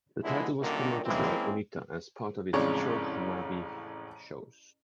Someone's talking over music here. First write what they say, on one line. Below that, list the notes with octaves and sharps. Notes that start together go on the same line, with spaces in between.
The title was promoted by Onita as part of his Cho Hanabi shows.
D3 F3 G#3 B3 E4
F#2 A#2 D3 D#3 G3 A#3
E3 G#3 A#3 C4 C#4 E4
A1 F2 C#3 G#3 C#5 D5